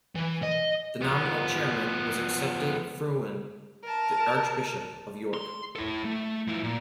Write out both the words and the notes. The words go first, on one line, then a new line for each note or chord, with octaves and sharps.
The nominal chairman was Accepted Frewen, the Archbishop of York.
E3
D#5
F3 B3
A#4 A5
C6
E4 A4
A3
F3 E4
A#2